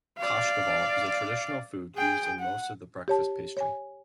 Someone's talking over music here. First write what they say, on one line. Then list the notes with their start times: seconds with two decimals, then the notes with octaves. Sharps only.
Kashkaval is a traditional food used in most of the breakfast pastry.
0.19 D5 F5
1.96 G#4 G5
2.40 F#5
3.08 G4 C#5 A5
3.57 C#5 G#5